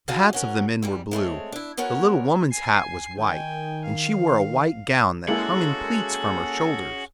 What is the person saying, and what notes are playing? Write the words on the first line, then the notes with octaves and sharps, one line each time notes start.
The hats of the men were blue; the little woman's hat was white, and she wore a white gown that hung in pleats from her shoulders.
D4 F#4 G#4 D5 F5 G5
C#4 F#4 A#4
E2 G#2 G3
G#3 A3 C4 C#5
D4 E4
B3 C#4 F#4 A#4 C#5
G#5 C7
D#3 G5 G#5
F5
G#3 A#3 C#4 E4 F#4 G#4 A4